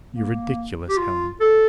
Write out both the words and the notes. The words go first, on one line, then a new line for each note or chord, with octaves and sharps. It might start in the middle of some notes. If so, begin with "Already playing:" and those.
"You're ridiculous, Helen."
A#3
G4
F4
A4